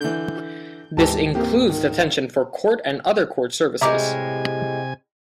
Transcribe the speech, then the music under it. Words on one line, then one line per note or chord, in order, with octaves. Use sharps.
This includes detention for court and other court services.
D3 E3 G6
D2 G#2 E3 G4 A5
A#3 C4 G4
D#3
A2 C3 G3 G#3 E5 G#5 A#5 D6